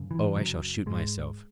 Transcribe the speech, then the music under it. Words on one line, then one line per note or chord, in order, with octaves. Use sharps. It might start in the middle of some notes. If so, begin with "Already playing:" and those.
Oh, I shall shoot myself!
Already playing: F#2 C#3
E3
F#2 C#3 F#3
G#2 G#3